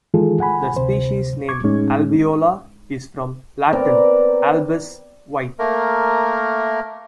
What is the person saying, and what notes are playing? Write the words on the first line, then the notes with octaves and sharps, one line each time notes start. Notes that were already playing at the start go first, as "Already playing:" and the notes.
The species name "albeola" is from Latin "albus", "white".
D#3 E3 G#3 F4 G#4 A4
F#5 G#5 B5
D2 C3 C5
C#6 D6 G#6
A2 G#3 C#4 D#4
B3 C4 A#4 D5
A3 A#3 A#4